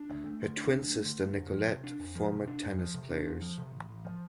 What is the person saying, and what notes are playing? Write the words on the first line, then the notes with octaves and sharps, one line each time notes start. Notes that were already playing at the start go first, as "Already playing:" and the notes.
Her twin sister Nicolette former tennis players.
Already playing: D4
D2
A3
D3
D4
D2
A3
D3
D4
F2
F3
C3
D4
F2
F3
C3
D4
F2
F3
C3
D4
F2
F3
C3
A1
A1
F3